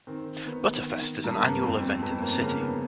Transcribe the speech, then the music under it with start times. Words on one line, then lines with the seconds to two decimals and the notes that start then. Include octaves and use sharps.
Butterfest is an annual event in the city.
0.07 D#3 C4
0.46 D#3 B3
0.85 D#3
1.24 G2
1.36 A#3
1.49 B3
1.63 F2 C4
1.83 C4
2.02 F2 B3
2.21 A#3
2.34 B3
2.41 C#3 A#3
2.61 B3